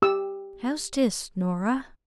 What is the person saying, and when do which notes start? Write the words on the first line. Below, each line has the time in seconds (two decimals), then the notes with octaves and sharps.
"How's this, Norah?"
0.02 G4 E6